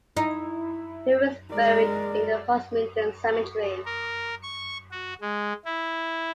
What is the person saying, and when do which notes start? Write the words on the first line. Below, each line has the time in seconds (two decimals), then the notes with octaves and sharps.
He was buried in the Holzminden Cemetery.
0.17 D#4 E4
1.52 G#3 A#4 D5
3.85 A#4
4.42 C#6
4.91 F#4
5.21 G#3
5.65 E4